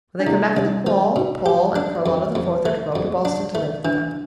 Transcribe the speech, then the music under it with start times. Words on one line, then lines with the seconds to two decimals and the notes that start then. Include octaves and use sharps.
When they come back in the fall Paul and Charlotta the Fourth are to go up to Boston to live with them.
0.19 D4
0.26 C2 E4
0.57 C2
0.87 F3
1.16 B2
1.46 G4
1.76 D4
2.06 F2
2.35 F2
2.65 A3
2.95 F2
3.25 D4
3.55 A3
3.85 E3 D4